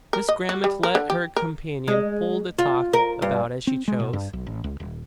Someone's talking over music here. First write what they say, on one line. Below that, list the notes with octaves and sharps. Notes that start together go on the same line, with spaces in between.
Miss Grammont let her companion pull the talk about as she chose.
A#4
D#5
F#4
G3
A#4
D3
G4
A#4
G#3
F4
A#4
G2
C4
G#3
B2
G2
B1
A1
C#2
D#1